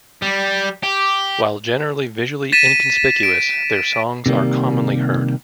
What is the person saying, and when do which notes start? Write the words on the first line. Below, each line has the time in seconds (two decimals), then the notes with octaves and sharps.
While generally visually inconspicuous, their songs are commonly heard.
0.22 G3
0.83 G4
2.52 A6 B6 D#7 E7
3.23 D7
4.26 C3 D#3 G3 A#3